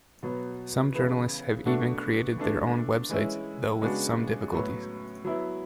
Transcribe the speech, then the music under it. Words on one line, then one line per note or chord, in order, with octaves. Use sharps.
Some journalists have even created their own websites, though with some difficulties.
B2 F#3 B3
C#3 E3 B3
B2 A3 D4 F#4
E3 A3 D4
E3 G#3 C#4 E4
C#3 G#3 B3 D4 F#4
A2 F#3 B3 F#4
F#3 B3 E4